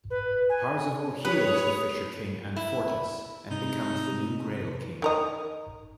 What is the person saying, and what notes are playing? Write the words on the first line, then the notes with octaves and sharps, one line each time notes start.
Parzival heals the Fisher King Anfortas and becomes the new Grail King.
B4
G#5
G4 B4 C#5 D#6
E4
C3 D#4
D#3 A#4 D#5